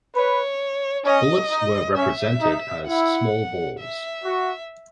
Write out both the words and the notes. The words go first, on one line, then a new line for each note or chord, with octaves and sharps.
Bullets were represented as small balls.
B4 C#5
C#4 D#5
D#4
C#4 E5
D#4
E4 F#5
E5
F#4